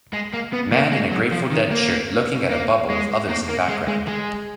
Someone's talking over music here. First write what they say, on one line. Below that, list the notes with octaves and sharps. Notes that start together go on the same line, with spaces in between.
Man in a Grateful Dead shirt looking at a bubble with others in background.
G#3
A#3
B3
A#3
G#3
F#3
F3
D#3
A#3
A#3
G#3
A#3
A#3
G#3
G#3
G#3